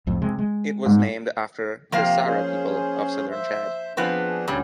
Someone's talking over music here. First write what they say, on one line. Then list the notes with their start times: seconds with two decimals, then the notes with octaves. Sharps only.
It was named after the Sara people of southern Chad.
0.07 C2 F2 A2
0.22 C3 G#3
0.39 G#3
0.86 G#2
1.92 C3 F3 A#3 G4 F5
2.26 C#4 G#4 C5
3.31 C5 E5
3.97 F3 B3 C4 D4 G#4
4.48 D2 A#2 D3 G3 C#4